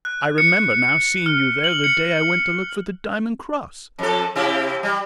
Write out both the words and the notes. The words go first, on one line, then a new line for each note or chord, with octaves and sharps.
"I remember, now, seeing you there the day I went to look for the diamond cross."
F#6
C#7
F6
F#7
C#7
F2 A4
C3 E4 G4
G3